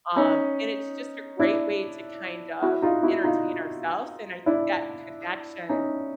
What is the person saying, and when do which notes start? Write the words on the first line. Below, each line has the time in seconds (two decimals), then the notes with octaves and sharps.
um, and it's just a great way to kind of entertain ourselves and I think that connection
0.16 C#4 D#4
1.39 D4 E4
2.62 E4 F#4
2.82 D#4 F4
3.03 E4 F#4
3.24 D#4 F4
4.46 D4 E4
5.69 C#4 D#4